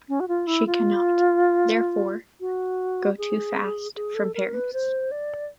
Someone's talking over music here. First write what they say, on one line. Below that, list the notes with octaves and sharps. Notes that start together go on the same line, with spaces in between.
She cannot, therefore, go too fast from Paris.
C#4
F#4
F4
E4
F4
F#4
G#4
G#4
A4
A#4
B4
C5
D5